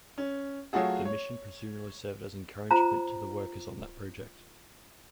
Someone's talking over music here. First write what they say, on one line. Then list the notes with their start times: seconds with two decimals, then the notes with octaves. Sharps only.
The mission presumably served as encouragement to the workers on that project.
0.18 C#4
0.73 F#3 A3 F4 F#4 G#4
1.05 C#5
2.71 F4 C5 A#5